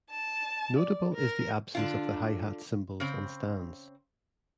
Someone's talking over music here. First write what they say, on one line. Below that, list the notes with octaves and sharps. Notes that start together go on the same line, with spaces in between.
Notable is the absence of the hi-hat cymbals and stands.
A5
D5
A#4
D3 D4 F4
C#3 C4